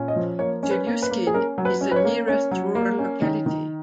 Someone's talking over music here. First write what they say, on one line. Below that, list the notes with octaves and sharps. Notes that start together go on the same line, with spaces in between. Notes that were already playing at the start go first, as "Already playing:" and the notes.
Chelyuskin is the nearest rural locality.
Already playing: A#2 C#4
D#5
F3
A#3 C#5
C#4
B4
A#3
B4
A#3
G#4
C#4 A#4
F#3
B4
C#4
B4
C#5
A#3
C#4 C#5
F#3
A#3
C#4
D#3
D#3